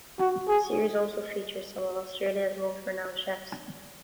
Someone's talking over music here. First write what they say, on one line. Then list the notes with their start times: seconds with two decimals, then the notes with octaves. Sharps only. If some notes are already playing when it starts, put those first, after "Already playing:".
The series also features some of Australia's most renowned chefs.
0.20 F#4
0.48 G#4